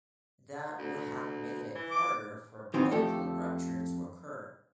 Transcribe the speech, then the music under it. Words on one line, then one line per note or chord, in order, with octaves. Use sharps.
That would have made it harder for a political rupture to occur.
D2
E3
D6
E3 B3 C4 D#4
F2 A3 G4 A4